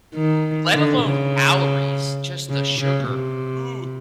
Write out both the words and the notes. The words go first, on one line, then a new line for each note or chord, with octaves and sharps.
Let alone calories, just the sugar. Ooh.
D#3
D3
C#3
C#3
C#3
C3